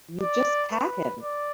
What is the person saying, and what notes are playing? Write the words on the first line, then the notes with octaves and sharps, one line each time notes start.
You just pat him.
D5
B4
D5